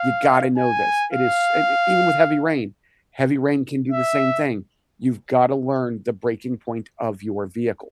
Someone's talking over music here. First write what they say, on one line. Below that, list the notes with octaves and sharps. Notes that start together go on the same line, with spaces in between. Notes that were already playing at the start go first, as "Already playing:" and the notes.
You gotta know this, it is s eh, even with heavy rain, heavy rain can do the same thing, you've gotta learn the breaking point of your vehicle."
Already playing: F5
G#5
F5
E5